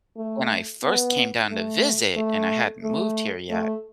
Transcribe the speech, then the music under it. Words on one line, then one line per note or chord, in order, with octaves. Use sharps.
when I first came down to visit and I hadn't moved here yet,
A3
B3
A3
A3
A3
A3